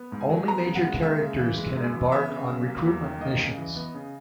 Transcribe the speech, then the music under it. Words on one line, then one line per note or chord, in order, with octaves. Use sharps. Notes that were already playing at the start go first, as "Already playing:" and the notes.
Only major characters can embark on recruitment missions.
Already playing: B3
G#2
G#5
F#3
B3 A#5
C#3
F#5
G#3
A#3 E5
C#3
E3
G#3
F#2
E3
B3 E5
C#3
F#3
A#3
E2
D#3
A#3 D#5
C#3
E3
B3
C#3